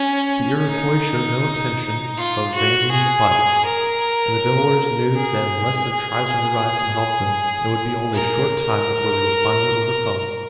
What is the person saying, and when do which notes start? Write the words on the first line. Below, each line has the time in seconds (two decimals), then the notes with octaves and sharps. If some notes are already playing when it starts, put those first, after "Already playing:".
The Iroquois showed no intention of abandoning the fight, and the Delawares knew that unless their tribesmen arrived to help them it would be only a short time before they were finally overcome.
Already playing: C#4
0.67 D#4
2.17 F4
2.55 F#4
2.91 G#4
3.66 A#4
5.16 G#4
8.14 A#4